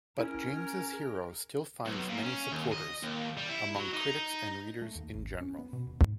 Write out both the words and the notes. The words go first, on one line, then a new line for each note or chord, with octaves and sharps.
But James' hero still finds many supporters, among critics and readers in general.
C#4 E4 G#4 A#4
B1
A#2
C#4
D#2
D#5
D#2
G3
E4
F#3
D#4
A3
D#2
G#1
C#4
B3
B2
D#1
G#2